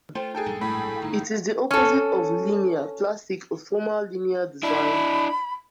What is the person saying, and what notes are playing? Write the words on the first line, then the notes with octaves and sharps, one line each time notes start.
It is the opposite of linear, plastic or formal linear design.
A3 F4 C5 G5
D4 D#4 G#4 A4 G5
A#1 G2 G#3
A2 B5
G1 C#3 D#4
C#4 A4
D4 E4 B5